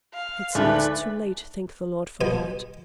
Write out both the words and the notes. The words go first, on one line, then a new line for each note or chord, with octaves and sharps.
It's not too late, thank the Lord for that!
F5
D2 G#2 A3 D4 B4
B2 B3 G#5